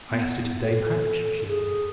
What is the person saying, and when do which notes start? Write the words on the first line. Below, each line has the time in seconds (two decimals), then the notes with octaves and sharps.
"I asked it of Dame Hatch," she answered.
0.10 B3
0.61 A4
1.48 G#4